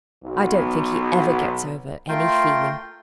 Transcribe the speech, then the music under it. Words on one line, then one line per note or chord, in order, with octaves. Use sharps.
I don't think he ever gets over any feeling.
B1 B3
A3 F4 A#4 G5 C6